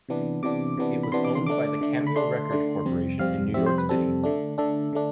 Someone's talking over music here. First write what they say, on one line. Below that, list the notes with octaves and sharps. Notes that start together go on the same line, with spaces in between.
It was owned by the Cameo Record Corporation in New York City.
C3 E3 B3 D4
C3 E3 B3 D4 D6
C3 E3 B3 D4
B5
C3 E3 B3 D4 C6
D6
C6
D3 A3 D4 D6
D3 A3 D4
B5
D3 A3 D4 C6
D3 A3 D4
F2 C3 G3 C4
F2 C3 G3 C4 F5
F2 C3 G3 C4 E5
C5
B4
F2 C3 G3 C4 A4
D3 A3 D4
D3 A3 D4 A4
D3 A3 D4